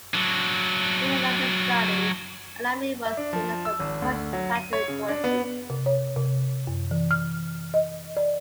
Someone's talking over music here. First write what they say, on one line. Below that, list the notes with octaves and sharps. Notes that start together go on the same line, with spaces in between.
In another study, anomie was seen as a "push factor" in tourism.
F#3 D4
E5
D4
F3
E6
G#1
D2
F#3
D#7
C#5
C#3
D4
B3
C3
C#5
C3
F#2
E3
F6
D#5
D5